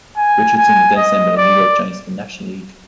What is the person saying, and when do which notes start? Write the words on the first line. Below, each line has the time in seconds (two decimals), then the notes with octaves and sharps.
Richardson was then signed by the New York Giants of the National League.
0.17 G#5
0.57 G#5
0.97 D#5
1.37 D5